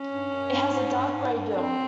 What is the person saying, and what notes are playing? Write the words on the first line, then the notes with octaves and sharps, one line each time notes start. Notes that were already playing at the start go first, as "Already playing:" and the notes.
It has a dark grey bill.
Already playing: C#4
G2
F#2
G2
G#2
G2
G#2
G2
G2 C4